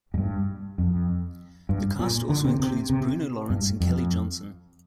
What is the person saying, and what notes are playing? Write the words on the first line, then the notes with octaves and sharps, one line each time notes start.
The cast also includes Bruno Lawrence and Kelly Johnson.
G#2
G2
F2
G2
A#2
D3
C3
C3
C3
G2
F2